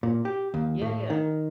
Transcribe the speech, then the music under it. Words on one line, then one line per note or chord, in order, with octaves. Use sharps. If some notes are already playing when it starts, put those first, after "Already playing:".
Yeah, yeah.
A#2
G4
D#2
A2
D#3